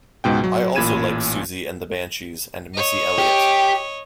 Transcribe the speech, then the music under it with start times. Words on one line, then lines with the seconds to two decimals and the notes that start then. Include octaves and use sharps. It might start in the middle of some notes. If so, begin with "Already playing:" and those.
I also like Siouxsie and The Banshees and Missy Elliott.
0.24 C#2 G#2 B2 G5
0.44 F#3
0.75 A1 A#2 B5 G#6 D#7 E7
2.75 C#5 D#5
3.18 G4